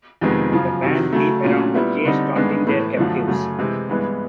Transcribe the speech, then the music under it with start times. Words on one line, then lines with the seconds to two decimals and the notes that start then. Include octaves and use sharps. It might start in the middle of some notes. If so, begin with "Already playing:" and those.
The band leap around the cage taunting their captives.
0.21 F2 C3 D#3 G#3 B3
0.52 F#2 C#3 F3
0.82 C3 D#3 F#3
1.13 C#3 F#3 A3
1.44 A#2 F#3 A3 C#4
1.74 A#2 G3 B3 E4
2.05 D3 G3 C4 D#4
2.36 G2 D#3 G#3 B3 D4
2.67 A2 E3 A3
2.97 F#2 D3 F3 A3
3.28 F#2 C#3 F#3 A3
3.59 C3 E3 G#3 C4
3.89 G2 E3 G#3 B3